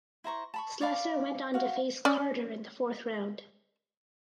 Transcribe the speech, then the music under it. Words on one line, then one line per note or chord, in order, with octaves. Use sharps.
Slessor went on to face Carter in the fourth round.
E4 C5 A#5 C#6
A5 B5 C#6
C#5 D5 F5 B5
F#4 F5
C#4 D5